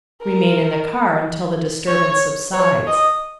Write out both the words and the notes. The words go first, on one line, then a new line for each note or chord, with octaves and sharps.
Remain in the car until the disturbance subsides.
A#4
C#5
C#5
D#5